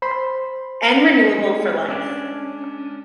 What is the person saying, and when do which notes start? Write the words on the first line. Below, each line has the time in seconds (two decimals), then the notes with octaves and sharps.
And renewable for life.
0.02 C5 B5 C6
1.38 G#3
1.88 C#4 D4